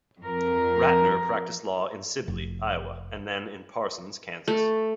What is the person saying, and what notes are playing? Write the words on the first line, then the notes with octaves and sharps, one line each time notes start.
Ratner practiced law in Sibley, Iowa, and then in Parsons, Kansas.
F2 A#4
F1
A3